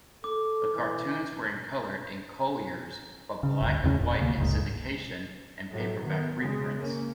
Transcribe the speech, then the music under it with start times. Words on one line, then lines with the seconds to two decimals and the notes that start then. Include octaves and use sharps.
The cartoons were in color in "Collier's" but black-and-white in syndication and paperback reprints.
0.24 A4 D6
0.74 E3
3.43 C#3
3.61 G1 D2
3.83 E2 C#3 C4 C#4
3.99 E1 A#2
4.20 D2 C3 A#3
4.37 F#1 C#2 G#2
5.71 A2 F#3
6.04 D#3 B3
6.41 C#3 G#3
6.78 A#3 C#4